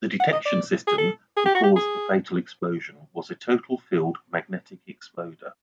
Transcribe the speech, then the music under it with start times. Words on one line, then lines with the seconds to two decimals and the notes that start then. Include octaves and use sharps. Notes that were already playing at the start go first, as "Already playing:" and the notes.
The detection system to cause the fatal explosion was a total field magnetic exploder.
0.20 F#5
0.33 D#5
0.45 D5
0.87 G#4
0.98 A4
1.36 G#4
1.45 G4
1.55 F#4
1.63 G4
1.76 G#4